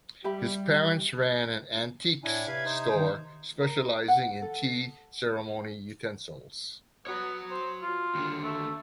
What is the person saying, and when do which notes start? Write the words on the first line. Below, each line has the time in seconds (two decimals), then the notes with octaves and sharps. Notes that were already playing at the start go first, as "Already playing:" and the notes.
His parents ran an antiques store specializing in tea ceremony utensils.
0.24 G3 G4 E5 B5
2.24 A2 D4 E4 G#5 G#6
2.47 C3 B4 F5 B5
2.65 D#4 C5
2.94 D#3
3.61 A#4
4.08 F#5
4.42 A4
7.07 B3 F#4 C#5
7.51 C5
7.82 F4
8.15 D#2 D3
8.44 A3